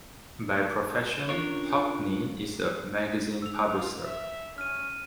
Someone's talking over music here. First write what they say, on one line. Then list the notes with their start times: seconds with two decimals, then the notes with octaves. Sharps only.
By profession, Hockney is a magazine publisher.
1.29 C#4 D4 F4 A#4 C#5
3.42 E6 F7
3.75 F4
4.03 E5
4.58 C#4 F6 D#7